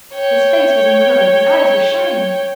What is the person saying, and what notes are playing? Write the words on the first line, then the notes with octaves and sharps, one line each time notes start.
His face was uncovered, his eyes were shining.
C#5 G5